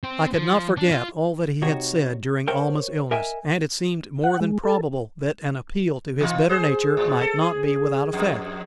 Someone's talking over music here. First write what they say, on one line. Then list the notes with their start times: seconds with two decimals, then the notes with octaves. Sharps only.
I could not forget all that he had said during Almah's illness, and it seemed more than probable that an appeal to his better nature might not be without effect.
0.03 C4
0.33 F3
0.77 D4
0.91 F4
1.62 C3 D#4 F#4 C#5
2.47 A#4 C5 C#5 E5 G5
3.11 A#4 D#5 E5 G5 G#5
4.24 F#5
4.41 G#3
4.64 A4
6.21 E3 D#4 F4
6.49 G#4 C5
6.97 A2
7.21 A4
7.41 G#4
8.13 F2